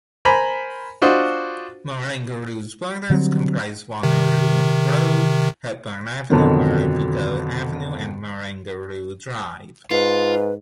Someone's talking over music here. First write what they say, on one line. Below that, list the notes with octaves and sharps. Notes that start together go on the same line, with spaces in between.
Marangaroo's borders comprise Wanneroo Road, Hepburn Avenue, Mirrabooka Avenue and Marangaroo Drive.
A#4 C5 G#5 A#5 B5
D4 F4 F#4 C5 D#5
D3 F#3 G3 C4
C3 D#3
F2 B2 D3 D#3 F#3
G#2 F4 B4